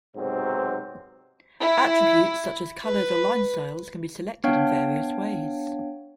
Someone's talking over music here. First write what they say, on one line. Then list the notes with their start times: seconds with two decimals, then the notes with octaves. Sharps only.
Attributes such as colors or line styles can be selected in various ways.
0.16 B1 G#2 C3 F#3 C4
1.62 E4
2.86 B4
4.44 B3 D4 C#5 F5 G5